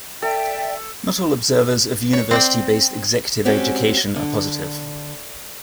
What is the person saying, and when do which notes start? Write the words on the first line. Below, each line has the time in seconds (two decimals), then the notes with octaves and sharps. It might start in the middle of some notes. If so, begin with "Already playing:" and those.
Not all observers of university-based executive education are positive.
0.22 A4 D5 E5 G5
2.13 C#5
2.31 C4 C5 D5 G5
3.45 G#3 C4 C#4 F#4 G4
4.16 D3